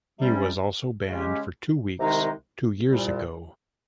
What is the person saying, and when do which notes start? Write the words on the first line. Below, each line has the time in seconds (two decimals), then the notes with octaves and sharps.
He was also banned for two weeks two years ago.
0.19 C3 G3 C#4
1.08 C#3 G#3 C#4 G4
1.99 C2 C3 D#3 G#3 D#4
2.88 C2 A#2 G3